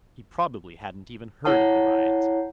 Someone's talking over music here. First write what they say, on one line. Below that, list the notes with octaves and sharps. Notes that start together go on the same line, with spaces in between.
He probably hadn't even heard of the riot.
E4 C#5 F#5 A5